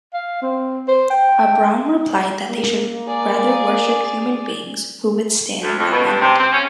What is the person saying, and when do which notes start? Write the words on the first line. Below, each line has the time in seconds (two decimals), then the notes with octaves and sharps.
Abram replied that they should rather worship human beings, who withstand the wind.
0.14 F5
0.42 C4
0.88 C5
1.10 G5
2.49 A#3
3.07 G#4 D5
5.63 D2
5.78 F2
5.91 B2
6.05 G2
6.21 C3
6.39 C4
6.52 C#4